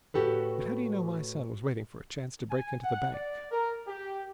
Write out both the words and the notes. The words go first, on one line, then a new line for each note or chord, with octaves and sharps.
"But how do you know my son was waiting for a chance to break into the bank?"
A2 F#4 G4 A4 B4
G#5
F#5
D5
A#4
G4